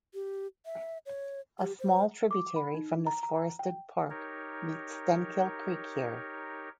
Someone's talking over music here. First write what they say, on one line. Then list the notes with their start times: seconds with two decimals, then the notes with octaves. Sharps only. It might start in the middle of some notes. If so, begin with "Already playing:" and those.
A small tributary from this forested park meets Stenkil Creek Here.
0.14 G4
0.66 E5
1.06 C#5
1.59 G4
1.80 C5
2.31 D6
2.56 B5
2.74 D#4
3.07 A#5
3.23 A#5
3.59 G5
4.10 D#4 G4 A#4 C#5